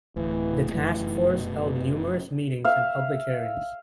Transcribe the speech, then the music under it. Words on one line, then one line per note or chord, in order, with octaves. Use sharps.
The task force held numerous meetings and public hearings.
D1 A2 E3
F1 F#2 E3 A3
B2
E5 F5